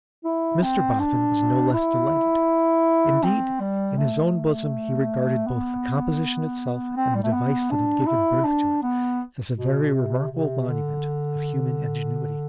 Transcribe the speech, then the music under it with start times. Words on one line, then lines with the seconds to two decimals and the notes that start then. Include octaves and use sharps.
Mr Boffin was no less delighted; indeed, in his own bosom, he regarded both the composition itself and the device that had given birth to it, as a very remarkable monument of human ingenuity.
0.25 E4
0.62 C4
0.99 D4
1.74 E4
3.23 C4
3.60 G3
3.98 A3
5.47 B3
6.96 C4
7.15 G3
7.23 A3
7.33 B3
7.71 D4
8.07 E4
8.45 D4
8.83 B3
9.56 B2
9.94 C3
10.31 C3
10.68 D3